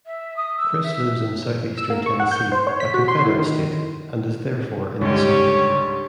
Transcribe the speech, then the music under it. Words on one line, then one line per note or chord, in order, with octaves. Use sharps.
Chris lives in southeastern Tennessee, a Confederate state, and is therefore in the South.
E5
D#6
E6
E5
E6
A#3
C#6
F#5
G6
C5
C#5
B6
F#4
C6
E4
D#3
C#2 G#2 D3 G3 C#4 D#4 G4 C#5